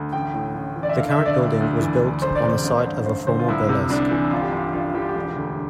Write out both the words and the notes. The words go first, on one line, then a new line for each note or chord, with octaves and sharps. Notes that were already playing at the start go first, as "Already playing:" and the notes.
The current building was built on the site of a former burlesque.
Already playing: D2
A1 G5
A2
A1
E3
D5
E5
D3 F5
E5
D3
D5
D2
D2
E3
D2
E1 C5
D5
C3 C5
A1
G2
A1 C5
D3 C5
F4
C2 E4
C3
C2 D4
E3
G1 F4
G4
G2 F4
G1 F4
E3 G4
F4
G4
E1
D2